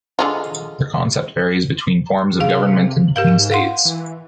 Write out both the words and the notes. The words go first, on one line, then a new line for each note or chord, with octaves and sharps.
The concept varies between forms of government and between states.
D3 G#3 F4
C3 G#4 F5
G#2 G4 A#4 F5
F5 F#5 C6
E3